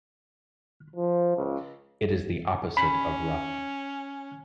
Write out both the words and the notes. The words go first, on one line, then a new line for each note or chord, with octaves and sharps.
It is the opposite of rough.
F3
C#2
C#4 B5